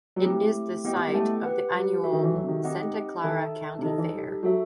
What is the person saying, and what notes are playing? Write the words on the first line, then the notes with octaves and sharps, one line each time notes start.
It is the site of the annual Santa Clara County Fair.
F#3
G3 A3 C4 E4 G4
B3 E4 G4 D#5 G5
G3
A3
G4 B4 F#5
G3
F#4 A4 E5
D#3
E3
F#3
C3
D#3
C4 D#4 G4 D#5 F#5
D#3 D#4 A4 E5 A5
C3
D#3 D#4 A4 D#5 A5
E3
G3
G3
F#3 F#4 A4 E5